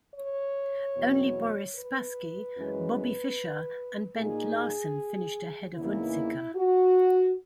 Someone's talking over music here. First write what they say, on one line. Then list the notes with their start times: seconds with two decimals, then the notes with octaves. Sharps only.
Only Boris Spassky, Bobby Fischer, and Bent Larsen finished ahead of Unzicker.
0.14 C#5
0.95 E2 B2 F#3
1.74 B4
2.55 F#2 E3 G#3 C#4
4.15 A#2 A#3 D#4 G#4
5.75 E2 C#3 E3 A#3 D#4 E4
6.56 F#4